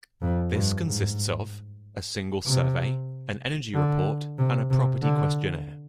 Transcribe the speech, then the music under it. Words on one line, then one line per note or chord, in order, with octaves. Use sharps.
This consists of: a Single Survey, an Energy Report and a Property Questionnaire.
F2
G2
G#2
C3
D3
C3
C3
D3